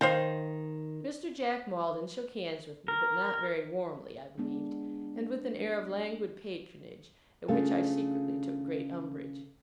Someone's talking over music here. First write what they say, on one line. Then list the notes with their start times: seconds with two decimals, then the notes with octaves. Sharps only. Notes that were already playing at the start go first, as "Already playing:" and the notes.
Mr. Jack Maldon shook hands with me; but not very warmly, I believed; and with an air of languid patronage, at which I secretly took great umbrage.
0.01 D#3 C5 F5 G5
2.88 A#4
4.38 G#3 B3 D4
7.48 C#3 A3 D4 F4 A4